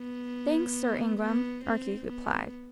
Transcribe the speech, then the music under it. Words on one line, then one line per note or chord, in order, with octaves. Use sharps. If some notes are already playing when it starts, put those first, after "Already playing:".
"Thanks, Sir Ingram," Archie replied.
Already playing: B3
B3
C4
B3